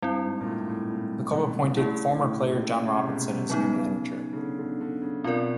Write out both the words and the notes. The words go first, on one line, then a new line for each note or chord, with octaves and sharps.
The club appointed former player Jon Robinson as new manager.
G2 G3 C4 E4
G#2
A#2
A2
A2
A#2
B2
C#3 A3 C#4 E4 G#4
A2
A2
C#3
C3
B2
C3
C#3 F#3 B3 D#4
C#3
D3
D3
D3
C#3
B2 C4 F4 A#4 D5